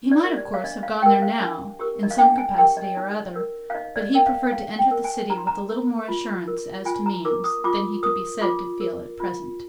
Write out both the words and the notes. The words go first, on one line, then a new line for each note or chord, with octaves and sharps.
He might, of course, have gone there now, in some capacity or other, but he preferred to enter the city with a little more assurance as to means than he could be said to feel at present.
D5
G4 A#4
D5
F5
D4 D#5
F5
G4 A#4 G5
D#5
F5
D4
G4 A#4
D#5
F5
D4 G5
G#5
G4 A#4 G5
D#5
D#4
A#4
F5
D#4 D#5
D5
D#5
A#4 G5
F5
D#4 F5
G5
A#4
G#5
D#4 A#5
C6
A#5
A#4
F4
A#4
F4 G#5
A#5
A#4 D6
D#6
F4 D6
A#4 D#6
F4 D6
A#4
F4